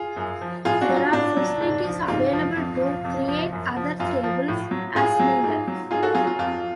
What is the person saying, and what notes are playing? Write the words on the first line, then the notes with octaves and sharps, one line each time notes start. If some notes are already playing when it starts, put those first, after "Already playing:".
There are facilities available to create other tables as needed.
Already playing: F4 G#4
F#2
F3
A2 F4 G#4
D4 F#4
F#3
F4
A2 D4
F#3
G#2
F3
G#2 F4
F3
F2
F3
F2
F3
F#2
F3
F#2 F4
F3
A2
F#3
A2 F4 G#4
F#3
G#2
F#3
G#2 F4 G#4
F#4 A4
F#3 F4 G#4
F4
F2 F4